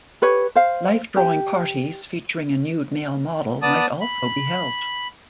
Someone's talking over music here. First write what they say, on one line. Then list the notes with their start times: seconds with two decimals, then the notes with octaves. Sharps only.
Life drawing parties featuring a nude male model might also be held.
0.22 G4 B4 C#5
0.55 C5 F5
1.17 G4
3.62 B3 D5 A5 D#6
4.01 B5